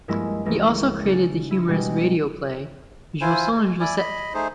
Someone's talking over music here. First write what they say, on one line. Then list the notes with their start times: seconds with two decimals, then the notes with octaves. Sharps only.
He also created the humorous radio play, "Joson Josette".
0.08 G2 F3 G#3 A#3 E4
0.46 C#2 E3 F3 A#3
1.04 C#3 D4 A6 D7
1.51 E4
1.68 B2 G3 G#3
3.21 E4 F4 C5 G#5
3.57 G#3
3.80 E4 D5 G#5
3.98 D#5 B5
4.34 A3 D#4 G#4 C5